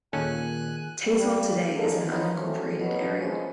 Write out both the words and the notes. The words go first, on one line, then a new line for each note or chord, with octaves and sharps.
Tazewell today is an unincorporated area.
D#2 A#2 D#3 C#4 G#4 A4 G#5 F#6
G3
D3 G#3 A#3
B3 C#4 D#4 F4
F#3 A3 C4 C#4 F#4
B2 F#3
E3 F3 G#3 A#3 C#4